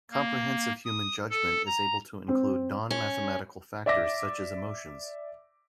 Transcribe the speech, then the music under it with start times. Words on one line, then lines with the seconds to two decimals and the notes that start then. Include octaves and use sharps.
Comprehensive human judgment is able to include non-mathematical factors such as emotions.
0.11 A#3
0.85 D#6
1.30 A4
1.66 A#5
2.28 C4
2.91 C#4
3.86 D5 E5 D6 A#6